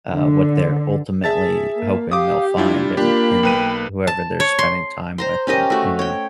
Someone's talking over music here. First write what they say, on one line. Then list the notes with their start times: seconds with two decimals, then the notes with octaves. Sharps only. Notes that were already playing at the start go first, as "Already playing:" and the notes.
uh, what they're ultimately hoping they'll find, and and whoever they're spending time with and, you know?
0.13 D3
1.24 G#4 E5 A5 A6
1.76 A#3
2.11 G4 F5 D6 D#6
2.57 G3 D4 E4 F4
2.97 A#3 D4 F4 G4 B5
3.43 B1 B4 G5 D#7
4.07 A5
4.40 C#5
4.59 C6
5.18 C5 A#5 C6
5.47 C#4 G4 A#4 D#5
5.70 A3 F#4
5.99 C#5 G5